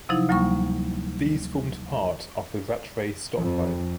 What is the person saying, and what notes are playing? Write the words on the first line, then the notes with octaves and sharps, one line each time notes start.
These formed part of the Rattray stop line.
C3 F3 F#3 D#4 E4
D2 F#3 G3 A#3 C#6
F2